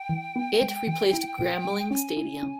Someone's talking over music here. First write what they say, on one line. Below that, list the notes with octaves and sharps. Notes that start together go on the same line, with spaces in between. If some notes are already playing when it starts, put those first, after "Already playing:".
It replaced Grambling Stadium.
Already playing: G5
E3
B3
G#3
E3
E4
A#2
G3
C#4 G#5
E4
C#4